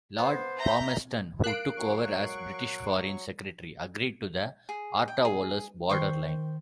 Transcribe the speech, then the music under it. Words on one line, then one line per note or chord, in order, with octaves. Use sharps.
Lord Palmerston, who took over as British Foreign Secretary, agreed to the Arta-Volos borderline.
B3 C5
E5 A#5 G6
A#4 F5 F#6 C7 D7
F#3 C#6
G#4
G5
G#4
D#3 C5 G5 C#6